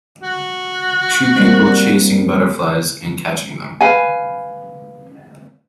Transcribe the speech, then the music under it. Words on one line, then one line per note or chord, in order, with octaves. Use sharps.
Two people chasing butterflies and catching them.
F#4
G3 A#3 C4
B4 F5 G#5